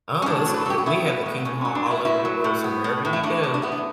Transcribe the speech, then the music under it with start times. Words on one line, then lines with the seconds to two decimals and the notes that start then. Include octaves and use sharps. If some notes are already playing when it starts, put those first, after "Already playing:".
Oh, it's the we have a Kingdom Hall all over the world, so wherever you go,
0.22 C#4
0.26 A2 D4
0.46 F#3
0.54 B4
0.61 A4
0.66 F#3 G4
0.78 F#4
0.86 B3 E4
1.06 B3
1.26 A2
1.38 B3
1.45 A2 C#4
1.61 F#3 C#4
1.75 D4
1.86 A2 E4
2.05 A2 E4
2.25 F#3
2.44 A2
2.64 B3
2.84 A2
3.05 A2
3.13 E4
3.23 A2 D4
3.43 A2
3.54 D4
3.62 B3 E4
3.72 D4